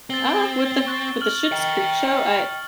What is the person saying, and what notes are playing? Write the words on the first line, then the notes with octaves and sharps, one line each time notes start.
Uh, with the f with the Schitt's Creek show, I
C4 A6 G7
C#6 F#6 A6
F6 F#7
D#5 G5